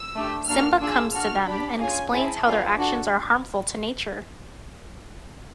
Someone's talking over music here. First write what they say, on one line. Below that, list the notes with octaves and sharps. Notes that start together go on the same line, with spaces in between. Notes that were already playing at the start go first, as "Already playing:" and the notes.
Simba comes to them and explains how their actions are harmful to nature.
Already playing: E6
A3 D4 G4
A#3 D4 F#4 A4 F6
D4 F4 G#4 E6
D4 F#4 A4 F6
D4 G4 B5
C#4 F4 G#4 G#5
C4 E4 G#4 A5
B3 D4 F4 G#4
D4 F#4 A4